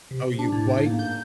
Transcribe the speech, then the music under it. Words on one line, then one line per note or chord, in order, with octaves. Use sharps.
Oh, you bi
C3
D4
A2
G#2
A#3
G6